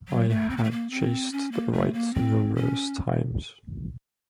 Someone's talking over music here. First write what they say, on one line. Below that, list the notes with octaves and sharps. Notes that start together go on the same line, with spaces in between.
I had chased the rights numerous times.
F#3
A3
C4
A#3
A3
A#3
C4
C#4
A#3
A3
A#3
C4
C#4